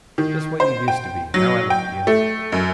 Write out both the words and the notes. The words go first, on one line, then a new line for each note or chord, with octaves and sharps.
Just what you used to be, now I look at you!
D#3
C5
G5
F#3
G5
A3
F#2